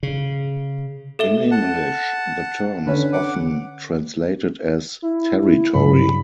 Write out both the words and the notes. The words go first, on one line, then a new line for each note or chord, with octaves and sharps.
In English the term is often translated as "territory".
C#3
A4 E5 G7
F#5 A5
D3 C#4 B4
F#5 D6
E4
G2 C#3 F#3 B5